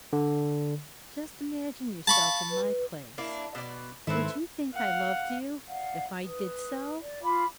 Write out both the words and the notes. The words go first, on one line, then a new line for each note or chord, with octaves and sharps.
Just imagine yourself in my place: would you think I loved you, if I did so?
D3
F5 A5 B5 C#6
B4
A#3 D4 E4
B2 D5
G#2 D#3 C4 E4 A4 B4 E5
F5 F#5
D5 F5 F#5
B4 D#6
D5
F4 F5 B5 D6